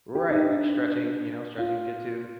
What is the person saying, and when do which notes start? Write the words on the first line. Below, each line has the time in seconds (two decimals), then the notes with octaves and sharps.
Right, like stretching, you know, stretching is good too.
0.15 G4
0.30 D#4
0.43 D4
1.58 F4